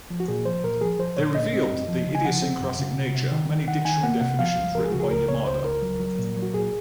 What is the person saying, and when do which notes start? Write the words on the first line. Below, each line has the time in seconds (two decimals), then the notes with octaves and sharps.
They revealed the idiosyncratic nature of many dictionary definitions written by Yamada.
0.10 F3
0.20 F#4
0.28 A#2 G#4
0.45 F3 C5
0.64 A#2 A#4
0.81 F3 G#4
0.99 F3 C5
1.17 A#2 C#5
1.35 A#2 D#5
1.53 C4
1.71 F#2
1.88 F3
2.07 C#3
2.15 G#5
2.24 F3 F#5
2.42 C4
2.60 F#2
2.79 C#3
2.96 C3
3.15 C3
3.31 D#3
3.50 D#3
3.68 D#3 F#5
3.85 D#3 G#5
4.03 A#3 F#5
4.21 C3 F#5
4.39 F3 F5
4.57 C#2
4.75 F3 A#4
4.84 G#4
4.92 C#3 F#4
5.00 G#4
5.11 C#2 A#4
5.29 C#3 C#5
5.46 C#2 C5
5.64 C#2 A#4
5.82 F#3
6.00 F#3
6.19 A#2
6.37 F#3
6.43 F#4
6.53 A#2 G#4